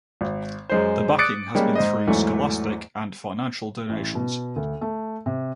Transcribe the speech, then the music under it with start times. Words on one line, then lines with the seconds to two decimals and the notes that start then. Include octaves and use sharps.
The backing has been through scholastic and financial donations.
0.21 G#1
0.70 F#2 G#3 C5
1.18 D6 D#6 F#6 A6 C#7 D7
1.55 G3 G#3 A#3 C#4 G4
1.75 G#2 C5 D#5
2.08 E2 G#2 E3 F#3 A3
3.89 A1
4.15 B2
4.56 D2
4.81 A3
5.26 C3